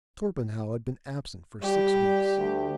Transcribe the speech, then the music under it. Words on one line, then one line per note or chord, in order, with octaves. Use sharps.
Torpenhow had been absent for six weeks.
G3 G4
D2